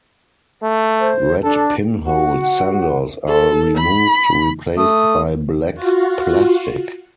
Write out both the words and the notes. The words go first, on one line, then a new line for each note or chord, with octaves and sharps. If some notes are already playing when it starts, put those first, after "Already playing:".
Red pin-holed sensors are removed, replaced by black plastic.
A3
C5
D4 A4
F#4 F#5
A4
B5
A3 D#6
F4 F#4